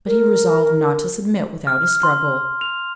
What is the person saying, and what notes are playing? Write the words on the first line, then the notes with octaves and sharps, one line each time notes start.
But he resolved not to submit without a struggle.
A#4
F6
F6
C6
F7